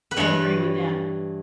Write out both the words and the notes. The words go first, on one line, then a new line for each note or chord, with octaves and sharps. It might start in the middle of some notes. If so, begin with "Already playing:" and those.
I agree with that.
B4
G2 E3 C#5